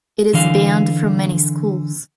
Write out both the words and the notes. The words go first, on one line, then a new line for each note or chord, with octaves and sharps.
It is banned from many schools.
D3 E3 F5